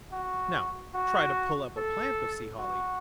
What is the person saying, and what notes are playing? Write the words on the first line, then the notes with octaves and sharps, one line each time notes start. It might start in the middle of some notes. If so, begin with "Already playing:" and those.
Now try to pull up a plant of Sea Holly.
F#4
F#4
A4
F#4